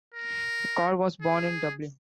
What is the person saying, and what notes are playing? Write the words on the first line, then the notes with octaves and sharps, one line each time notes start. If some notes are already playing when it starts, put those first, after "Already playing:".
Carr was born in Dublin.
A#4
G#4